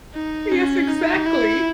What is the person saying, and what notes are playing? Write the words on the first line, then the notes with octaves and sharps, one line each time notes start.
Yes, exactly.
D#4
C#4
D#4
E4